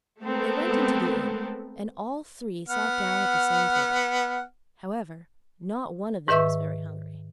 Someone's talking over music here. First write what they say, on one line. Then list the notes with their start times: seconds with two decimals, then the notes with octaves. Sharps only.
They went into the Inn and all three sat down at the same table. However, not one of them was very hungry.
0.23 G#3 A3 B3 C4 A4 A#4
2.69 B3 F#5 F6
6.28 G#2 D#3 B4 E5 C#6 E6